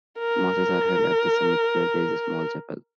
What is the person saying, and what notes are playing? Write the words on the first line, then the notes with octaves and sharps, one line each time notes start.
Masses are held at the summit, where there is a small chapel.
A#4